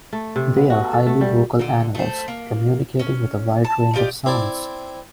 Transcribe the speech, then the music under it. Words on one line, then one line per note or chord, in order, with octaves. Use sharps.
They are highly vocal animals, communicating with a wide range of sounds.
A3
C3
B3
F#4
A4
A3
G3
A#2 D3
A3 C5
A#3
C#4
A5
D#4 F4 G4 D5
C4 E4 D5